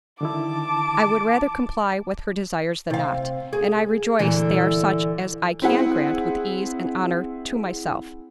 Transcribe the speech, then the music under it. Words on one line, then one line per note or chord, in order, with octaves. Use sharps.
I would rather comply with her desires than not; and I rejoice they are such as I can grant with ease and honour to myself.
D3 D#3 E4 A5 D6
C3 F5
G#4
A#2 D3 E3
C4 E4 G#4 F#5